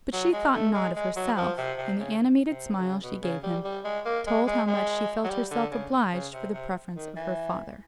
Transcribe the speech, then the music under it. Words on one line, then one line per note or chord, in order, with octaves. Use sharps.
But she thought not of herself, and the animated smile she gave him, told how much she felt herself obliged for the preference of her father.
F#3
G#3
A3
G#3
G#3
F#3
F3
C3
C3
C#3
C3
D3
C#3
B2
C#3
G3
G3
G#3
A#3
G#3
G#3
G#3
F#3
G3
D3
C#3
C#3
C3
C3
D#3
E3